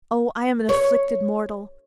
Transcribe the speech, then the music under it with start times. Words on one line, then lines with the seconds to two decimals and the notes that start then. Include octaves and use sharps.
Oh, I am an afflicted mortal.
0.69 C#5